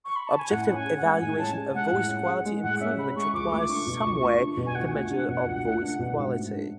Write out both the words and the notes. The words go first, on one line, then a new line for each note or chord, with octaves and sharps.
Objective evaluation of voice quality improvement requires some way to measure of voice quality.
C#6
B5
A5
G#5
A2 F#5
C#4
G#5
G#4
F#5
G#3
A2 G#5
C#4 A5
G#4
G#3 F#5
A2 F#5
C#4
G#4
G#3
A2 F#5
C#4 E5
G#4 B5
G#3 C#6
C#2 D6
A3
D4 C#6
B2
C#2
A3
D4
B2
G#5
C#2 F#5
A3
D4
B2
C#2
A3
D4
B2
G#2
A3
D4